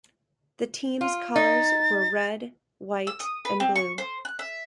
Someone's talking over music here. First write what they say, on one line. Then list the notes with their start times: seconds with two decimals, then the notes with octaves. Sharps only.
The team's colors were red, white and blue.
1.01 F4
1.36 D#4 A6
3.07 E6
3.20 D#6
3.45 B4
3.60 C4
3.76 C#6
3.98 C5
4.25 F#6
4.39 E5